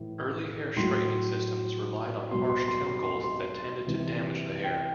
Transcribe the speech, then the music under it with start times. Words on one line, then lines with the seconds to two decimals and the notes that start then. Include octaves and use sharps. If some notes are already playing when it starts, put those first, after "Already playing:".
Early hair straightening systems relied on harsh chemicals that tended to damage the hair.
Already playing: A2 E3
0.76 A2 F#3 C6
2.31 B2 F#3 C6
2.50 C6
2.68 C6
2.87 C6
3.05 C6
3.24 C6
3.86 C3 E3
4.64 G5